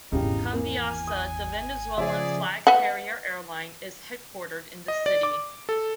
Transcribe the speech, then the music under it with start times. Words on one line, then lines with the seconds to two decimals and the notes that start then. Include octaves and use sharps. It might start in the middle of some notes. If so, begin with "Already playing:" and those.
Conviasa, the Venezuelan flag carrier airline, is headquartered in the city.
0.12 G#1 E2 C#3 D#4 E4 G4
0.53 A#3 G#5
1.07 D#6
1.98 C#3 F3 G#4 D5 E5
2.67 B4 E5 F#5
4.88 D#5
5.06 D5
5.23 D6
5.69 A4